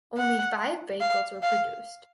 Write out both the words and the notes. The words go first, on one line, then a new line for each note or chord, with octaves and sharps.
Only five vehicles were produced.
F#5
F5
F5